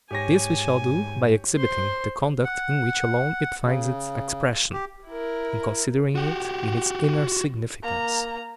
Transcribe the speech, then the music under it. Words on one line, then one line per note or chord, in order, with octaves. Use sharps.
This we shall do by exhibiting the conduct in which alone it finds its expression, and considering it in its inner significance.
G#2 G4 C#5 G#5 A#6
C5 C6
F#5
C#3
G4
E4 A#4
F#4 G4
A#3 A#5